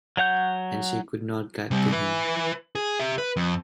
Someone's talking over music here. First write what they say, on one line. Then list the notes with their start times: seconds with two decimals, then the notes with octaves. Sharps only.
And she could not get to him.
0.17 F#3 C#5 F#5 G6
1.71 C3 G3
1.92 E4 B4
2.75 G#4
3.00 G4 E5
3.18 B4
3.36 F2